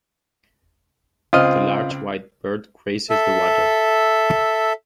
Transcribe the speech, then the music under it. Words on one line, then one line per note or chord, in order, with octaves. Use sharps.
The large white bird grazes the water.
C#2 C4 F4 D#5 F6
A4 E5